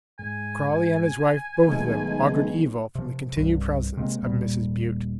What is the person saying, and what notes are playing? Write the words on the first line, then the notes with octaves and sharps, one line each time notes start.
Crawley and his wife both of them augured evil from the continued presence of Mrs. Bute.
G#2 G#5
B1 D#3 G#3 A3
C3 F3
G1 C2 G2
C3 G#3 A#3
D#1 A#2 G3 A#3